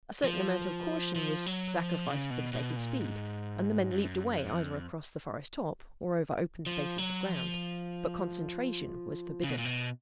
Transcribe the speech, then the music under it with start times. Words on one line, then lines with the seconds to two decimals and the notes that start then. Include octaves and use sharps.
A certain amount of caution was sacrificed for the sake of speed, and the men leaped away either across the forest top, or over open spaces of ground, but concentration was forbidden.
0.24 F3
1.15 F3
1.46 F#3
1.77 F3
2.08 C#3
2.30 B2
2.53 B2
2.76 A#2
2.99 G#2
3.91 F#2
4.37 F2
6.66 F3
6.98 F#3
7.29 F3
9.43 C#3
9.50 B2
9.58 A#2
9.65 B2